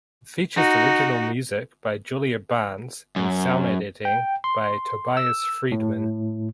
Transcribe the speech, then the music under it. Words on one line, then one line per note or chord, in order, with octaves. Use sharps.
It features original music by Julia Barnes and sound editing by Tobias Friedman.
D#4 F#4
F#2
G5
C6
E6
A2